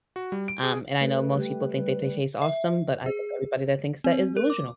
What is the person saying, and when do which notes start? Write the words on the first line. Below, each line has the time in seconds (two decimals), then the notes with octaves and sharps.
um, and I know most people think that they taste awesome, but I think everybody that thinks that is delusional.
0.16 F#4
0.32 G3
0.48 D7
0.63 G#4
1.01 A3 B4
1.34 G3 A3 G4
1.78 G3
2.42 E5
3.06 G#4
4.04 C4
4.37 A#4
4.50 D6